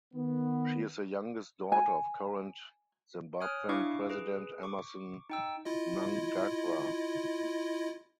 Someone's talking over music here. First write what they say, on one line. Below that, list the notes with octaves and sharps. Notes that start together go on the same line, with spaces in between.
She is the youngest daughter of current Zimbabwean president Emmerson Mnangagwa.
D#3 B3
G#5
C#5 G#5 D#6 F6 F#6
D4 E4 F5 C#6 D6 C#7
G#4 B4
C#6 D6
D#4 G5 E6
E4 F4 D#5